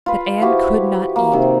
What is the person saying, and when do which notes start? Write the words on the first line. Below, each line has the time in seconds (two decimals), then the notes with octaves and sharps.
But Anne could not eat.
0.06 F4 B4
0.41 F3 E4 F#4 G4
1.16 A#3
1.32 C3 D#3